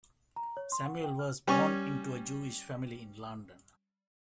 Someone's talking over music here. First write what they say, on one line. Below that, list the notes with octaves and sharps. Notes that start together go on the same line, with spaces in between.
Samuel was born into a Jewish family in London.
A#5
C#5
C6
F#5
G5
F6
G3 C#4 G#5 C#6